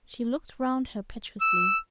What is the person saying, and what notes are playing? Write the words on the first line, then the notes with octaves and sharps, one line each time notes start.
She looked round her piteously.
E6